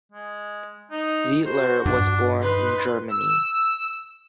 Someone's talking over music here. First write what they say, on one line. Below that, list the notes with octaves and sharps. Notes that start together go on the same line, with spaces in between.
Zeidler was born in Germany.
G#3
D#4
F#4 C5
G2 D4
D#4 B4 C6
E6